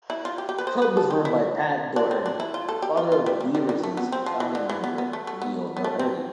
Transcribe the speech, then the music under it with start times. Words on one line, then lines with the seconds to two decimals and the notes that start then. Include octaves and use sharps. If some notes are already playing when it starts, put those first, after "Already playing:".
The Club was run by Pat Doherty, father of Weavers' founding member Neil Doherty.
0.10 E4
0.25 F4
0.38 G4
0.49 G4
0.58 B4
0.67 C5
0.82 B4
0.97 A4
1.11 G4
1.25 E4
1.96 D4
2.11 C4
2.26 D4
2.40 E4
2.54 F4
2.69 A4
2.82 G4
2.97 F4
3.12 F4
3.26 G3
3.41 G3
3.55 G3
3.69 G3
3.83 A3
3.97 B3
4.12 C4
4.26 F3
4.40 E3
4.55 D3
4.70 E3
4.84 B3
4.98 B3
5.13 A3
5.27 A3
5.42 B3
5.77 B3
5.84 A3
5.99 C4